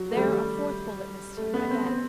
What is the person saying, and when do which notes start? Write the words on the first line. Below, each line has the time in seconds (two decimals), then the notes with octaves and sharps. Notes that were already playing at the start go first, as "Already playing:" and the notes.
There a fourth bullet missed him, again.
Already playing: F#3
0.11 A3
0.17 G3
1.37 A3
1.54 B3
1.71 C4
1.86 C4